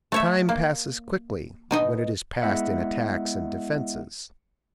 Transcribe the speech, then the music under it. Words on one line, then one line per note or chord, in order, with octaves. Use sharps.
Time passes quickly when it is passed in attacks and defenses.
A3 C#5 E5
A#3
B2 D#4 D#5
G#3 B3 E4 D#5 E5 F#5